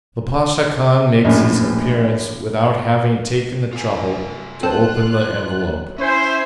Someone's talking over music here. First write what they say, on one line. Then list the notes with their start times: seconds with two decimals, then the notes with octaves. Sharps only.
The Pasha Khan makes his appearance without having taken the trouble to open the envelope.
1.25 A#1 F#2 A2
3.73 F4 A4 G#5
4.63 C4 F4 A4 F#6
5.98 C#4 E4 C5 E5 G#5